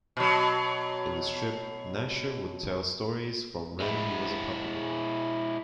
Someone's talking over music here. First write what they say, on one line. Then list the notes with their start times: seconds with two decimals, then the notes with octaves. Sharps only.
In the strip, Gnasher would tell stories from when he was a puppy.
0.17 B2 F#3
3.80 G#3 E4